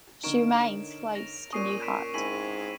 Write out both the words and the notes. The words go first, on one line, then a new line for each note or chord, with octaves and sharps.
She remains close to Newhart.
D3 D#4 A#4 C#5 D7 E7
A#6 F7
A#2 C#4 C#6 D#6 C7 D#7
B6 D7 E7
G#2 C4 E4 G#4 B6 D#7 F#7